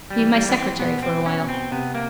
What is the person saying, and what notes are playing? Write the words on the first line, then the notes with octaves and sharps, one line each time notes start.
Be my secretary for a while.'
G3
E3
G3
E3 B3
C4
B2 B3
C4
B2
C#4
B2
C4
C3 B3
A#3